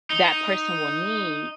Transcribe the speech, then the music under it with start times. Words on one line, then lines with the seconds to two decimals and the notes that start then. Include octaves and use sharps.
that person will need,
0.10 D#4